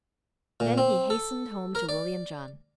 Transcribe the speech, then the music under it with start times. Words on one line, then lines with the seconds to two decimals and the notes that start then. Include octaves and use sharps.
Then he hastened home to William John.
0.60 A#2
0.78 C4
1.10 A4
1.75 A#4
1.89 D5